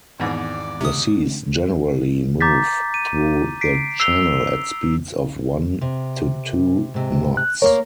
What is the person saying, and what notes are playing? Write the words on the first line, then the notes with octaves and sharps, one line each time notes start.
The seas generally move through the channel at speeds of one to two knots.
G#1 E2 G#2 B2 D5 G#5
C3 D#6
A#5 D6 G6 A6 B6
D#7
B6 C7 D7
E6 C7 F7 G7
C3
G#2 C3
F#6
A#3 A#4 C#5